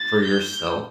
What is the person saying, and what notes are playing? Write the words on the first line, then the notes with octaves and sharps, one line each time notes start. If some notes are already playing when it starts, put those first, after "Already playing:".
for yourself,
Already playing: A6
G6